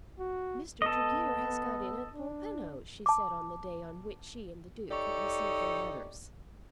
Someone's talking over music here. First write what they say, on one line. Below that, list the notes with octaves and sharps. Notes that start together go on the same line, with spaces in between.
"Mr. Tregear has got in at Polpenno," she said on the day on which she and the Duke had received their letters.
F#4
B3 A4 D#5
D4
A5 D6
D#4 G4 A4 C#5 D5